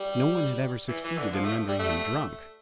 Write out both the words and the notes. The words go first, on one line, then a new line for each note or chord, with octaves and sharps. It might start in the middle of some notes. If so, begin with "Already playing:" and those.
No one had ever succeeded in rendering him drunk.
Already playing: G3
E3
E3
D3
F3
A3
G3
A3